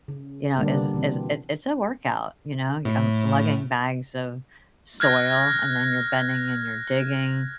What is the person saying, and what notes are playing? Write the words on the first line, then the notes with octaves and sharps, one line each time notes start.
you know, is is it's it's a workout, you know, um, lugging bags of soil, and then you're bending and you're digging,
C#3
D3 G3 A#3 B3 D4
B2 E3 C4
A2
F6 F#6 G#6 A#6